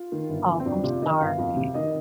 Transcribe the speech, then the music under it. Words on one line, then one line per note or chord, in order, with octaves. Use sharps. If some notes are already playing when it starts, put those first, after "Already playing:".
Oh, I'm sorry.
Already playing: F4
D#3
G1
G1
C4
F2 D4
C3 F4
D#3 D#5
G1 F5
F2 F5
C3
D#3 D#5